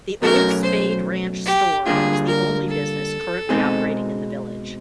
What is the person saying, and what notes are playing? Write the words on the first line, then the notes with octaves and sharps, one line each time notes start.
The Old Spade Ranch Store is the only business currently operating in the village.
B2 F#3 A3 C#4 F#4 A#4
C5
G4
D3 G3 A#3 D4 F4 G#4
A#4
A4
B2 G#3 C4 D#4 G#4